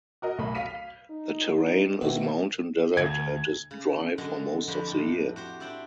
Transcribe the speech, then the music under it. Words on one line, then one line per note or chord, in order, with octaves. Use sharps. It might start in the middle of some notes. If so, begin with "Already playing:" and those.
The terrain is mountain desert and is dry for most of the year.
F#4 A#4 D#5
B1 A3 B5
F5 B6 D#7
D#4
B2 D#3 A3
D2 G#6
C#3
F#2 D3 G#3 F#4
F2 D3 F3 G4 B4 C5
A2 C4 D4 A5
F#4 G4 C5
D4 C5 D5 E5 A5